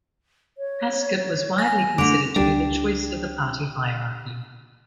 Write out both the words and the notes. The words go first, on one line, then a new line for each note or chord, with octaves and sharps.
Haskett was widely considered to be the choice of the party hierarchy.
C#5
G#5 A#6
D3 A3 D6 D7 F7
C#2 G3 D4 G4